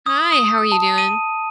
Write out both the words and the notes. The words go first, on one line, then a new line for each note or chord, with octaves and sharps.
Hi, how are you doing?
D#6
D#6
A5
D#7